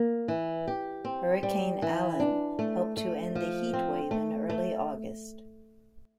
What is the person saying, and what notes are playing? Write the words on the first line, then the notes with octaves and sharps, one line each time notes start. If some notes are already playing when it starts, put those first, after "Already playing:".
Hurricane Allen helped to end the heat wave in early August.
Already playing: A#3
E3
G4
C4
G3
E3
D4
A3
A3
F3
C4
A3
A3